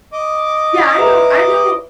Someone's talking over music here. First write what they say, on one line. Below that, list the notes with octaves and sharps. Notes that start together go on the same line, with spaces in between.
Yeah, I know I know
D#5 D6
B4 E5 A#5